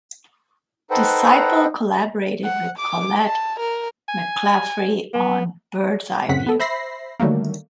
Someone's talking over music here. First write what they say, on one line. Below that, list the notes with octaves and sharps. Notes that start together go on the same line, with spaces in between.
Disciple collaborated with Collette Mclaffery on "Birdseye View".
D#4 A4 B4 C5 F#5 G5
F#5
D6
A5
A#4
G#5
B3
F#2 A2 C#3 C4 F#5 B6
B3 A4
C5 E5 B5 A#6 C7
D3 D#3 F#3 G3 A3 A#3